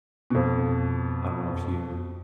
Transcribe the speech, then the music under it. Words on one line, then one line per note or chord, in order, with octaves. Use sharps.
I don't know if you
F2 B2